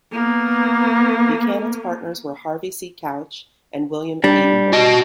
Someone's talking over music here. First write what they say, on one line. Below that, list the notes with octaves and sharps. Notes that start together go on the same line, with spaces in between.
Buchanan's partners were Harvey C. Couch and William Edenborn.
A#3 B3
G3 D4
F#4 D#5